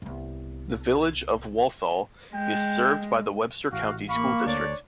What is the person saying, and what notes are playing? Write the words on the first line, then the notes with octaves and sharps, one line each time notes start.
The Village of Walthall is served by the Webster County School District.
C2 B3
G#3 G5
A1 F#4 F5
A#3 F5 B5 C#6
D2 D4 C#5 D5